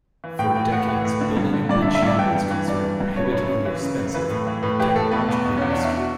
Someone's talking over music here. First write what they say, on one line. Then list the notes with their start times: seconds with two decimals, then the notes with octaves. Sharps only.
For decades, building a bridge here was considered prohibitively expensive and technologically risky.
0.24 E3
0.39 A2 G5
0.55 E3 G5
0.72 A2 F#5
0.89 E3
1.05 A2
1.21 D3
1.37 G2
1.53 D3
1.69 G2 D5
1.82 E5
1.87 D3
1.95 E5
2.02 G2 D5
2.19 E3 G5
2.35 G2
2.51 E3
2.68 G2 D5
2.84 E3
3.00 G2
3.16 C#3 C#5
3.24 B4
3.31 F#2 C#5
3.49 F#2
3.65 E3
3.82 C#3
3.98 F#2
4.14 E3 B4
4.30 A2
4.47 E3
4.63 A2 B4
4.80 E3 G4
4.95 A2 A4
5.11 B2 B4
5.28 E2
5.45 B2
5.57 E2 C#4
5.71 D4
5.78 B2
5.84 E4
5.97 F#4